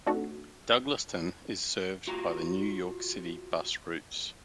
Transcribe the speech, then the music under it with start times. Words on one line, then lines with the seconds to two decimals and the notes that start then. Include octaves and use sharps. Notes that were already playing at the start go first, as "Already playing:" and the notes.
Douglaston is served by the New York City Bus routes.
0.06 A3 C4 D4 D#4 F#4 A4
2.07 F4 F#4 A#5